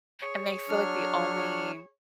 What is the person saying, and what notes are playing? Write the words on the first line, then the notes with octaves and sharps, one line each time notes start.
and they feel like the only
G#4 C#5
F#3 D4 F6